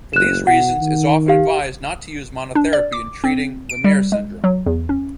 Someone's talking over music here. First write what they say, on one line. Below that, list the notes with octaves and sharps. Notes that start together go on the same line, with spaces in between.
For these reasons is often advised not to use monotherapy in treating Lemierre's syndrome.
F#1 F#6 E7
B2 F#5
D#3
G4 F5
D4
D5
D6
C4
D7
G3
G#3
F#3
E2
C#4